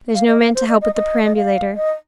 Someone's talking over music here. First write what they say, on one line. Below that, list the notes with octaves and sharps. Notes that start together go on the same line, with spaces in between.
There's no man to help with the perambulator.
F5
D#5
F5
C5
D#5
D#5
D#5
D#5
F5
D#5